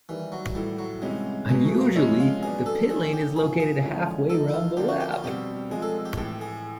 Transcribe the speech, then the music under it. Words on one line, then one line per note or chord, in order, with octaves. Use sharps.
Unusually, the pit lane is located halfway round the lap.
D#3 E3 G3 A#3
F#3
A2 E3 G3 A3
F#3
C3 E3 G3 G#3 C#4 E4
B2 F#3 G#3 B3
A3
A#3
C3 F3 G#3 C#4 E4
F4
F#3 B3 D4 G#4
A4
E3 A3 C#4 E4 G#4
G4
A2 F3 A#3 G#4
G#4
D3 F3 G#3 C#4 E4
F3 A#3 D#4 A4
E4
F4
D3 F3 A#3 D4 G4
F#4
G4
F4
B2 G3 C4 G4
F3 G#3 C4 G#4
A4
G4
A2 E3 A3 G4
G#4